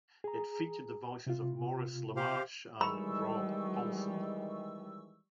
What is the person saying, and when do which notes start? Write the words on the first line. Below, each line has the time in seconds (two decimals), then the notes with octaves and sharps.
It featured the voices of Maurice LaMarche and Rob Paulsen.
0.24 G#4 A#5
1.27 C3 F4
2.17 G4 C5 F5
2.81 D#3 E3 G3 G#3 B5 C#6 E6